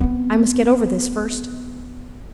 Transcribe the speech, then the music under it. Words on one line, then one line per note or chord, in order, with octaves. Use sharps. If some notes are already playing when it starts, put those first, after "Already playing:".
I must get over this first.
B3 C4